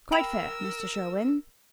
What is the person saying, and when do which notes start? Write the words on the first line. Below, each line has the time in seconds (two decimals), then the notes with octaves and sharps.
"Quite fair, Mr. Sherwin."
0.12 A#4 G5 B5 E6 F7